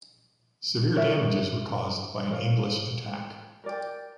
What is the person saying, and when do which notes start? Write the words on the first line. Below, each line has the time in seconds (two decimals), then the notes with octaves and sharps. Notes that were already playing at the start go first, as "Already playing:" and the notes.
Severe damages were caused by an English attack.
0.96 A#4 C#5 E5
2.30 A#4 C#5 F5
3.64 A#4 D5 G5